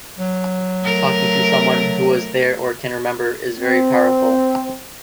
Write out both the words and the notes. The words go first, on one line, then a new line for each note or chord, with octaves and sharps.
Talking to someone who was there or can remember is very powerful.
F#3
A3 A#4
C4